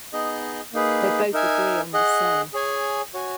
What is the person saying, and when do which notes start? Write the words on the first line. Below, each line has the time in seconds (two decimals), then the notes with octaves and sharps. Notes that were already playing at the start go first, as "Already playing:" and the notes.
They both agree on the same.
0.13 B3 D#4 G#4 D#5
0.73 A#3 D#4 G#4 B4
1.33 D#4 A#4 E5 G#5
1.94 G#4 D#5 F#5
2.53 G#4 C#5 G#5
3.14 F#4 C#5 G#5